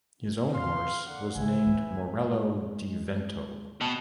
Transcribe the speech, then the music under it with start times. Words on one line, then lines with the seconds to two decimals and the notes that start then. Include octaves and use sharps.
His own horse was named Morello di Vento.
0.54 F5 C6
1.06 D3 A#3 F#5
1.36 C#3 G3 B4 E5 G#5
1.66 E3 A3
2.24 G#3
3.81 B2 G5 A5 B5